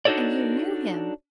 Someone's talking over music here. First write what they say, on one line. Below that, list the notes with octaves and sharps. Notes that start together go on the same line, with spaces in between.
And YOU KNEW HIM.
D4 D#4 F#4 A4 C#5 D5